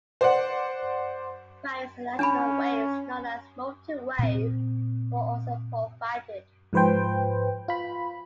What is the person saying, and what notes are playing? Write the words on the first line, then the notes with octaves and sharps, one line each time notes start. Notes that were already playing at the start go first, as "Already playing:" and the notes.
Various additional "waves" known as "multiwave" were also provided.
C5 D5 F#5
C#4 D4 G#5 B5
A#2 C4
G#2 F3 B4 C5 G5
F4 B5